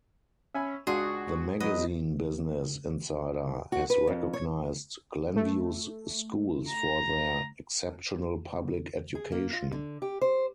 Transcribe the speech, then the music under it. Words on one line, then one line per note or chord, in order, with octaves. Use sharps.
The magazine Business Insider has recognized Glenview's schools for their exceptional public education.
C#4 E5 G#5 B5
C#2 D4 F#4 G#4 C6
F#3 B4 D#5
F#4
B4
F2
C#5
A3
A#5
G#4
A#3
F4
D3
G4
C5